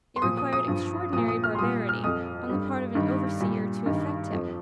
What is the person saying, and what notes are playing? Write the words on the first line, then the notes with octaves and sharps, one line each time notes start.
It required extraordinary barbarity on the part of an overseer to affect him.
C6
A#2 F3 D#6
D#6
D#6
G2 F3
A#2 F3 D#6
D#6
F6
C6
A#2 G3 D#6
F6
F2 F3 D#6
G2 G3
G2 D#3 G3
A#2 G3
G2 D#3 G3
F2 F3